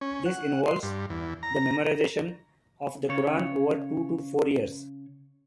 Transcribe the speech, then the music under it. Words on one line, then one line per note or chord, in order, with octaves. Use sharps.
This involves the memorization of the Quran over two to four years.
C#4
F#5
C6
G2
E2
A#5
C#3 C#5